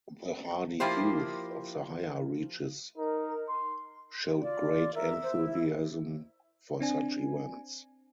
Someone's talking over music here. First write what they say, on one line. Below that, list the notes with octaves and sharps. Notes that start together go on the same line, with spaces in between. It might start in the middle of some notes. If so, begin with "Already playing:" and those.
The hardy youth of the higher reaches showed great enthusiasm for such events.
F3 A#3 E4 G4 C5
D#4 A#4
C6
F4 D5
A#4 E5
C5
E4
C4 D4 G#5